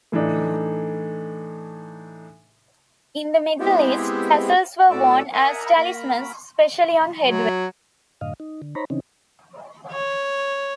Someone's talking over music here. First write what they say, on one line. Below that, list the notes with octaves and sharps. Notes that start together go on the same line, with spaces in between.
In the Middle East, tassels were worn as talismans, especially on headwear.
A2 E3 A3 D4 D#4
G#3 B3 C4 E4 G4
A2 A3 F#4 D5 E6
A#4 D#5 E5 F#5 G#5 A#5
A#3 A#4 B5
F#3
F#2 A2 D3 D#5 F5
D#4
D3
D#4 C5 C#5 A#5 B5
C#3 E3 C4 C#4 D#4
C#5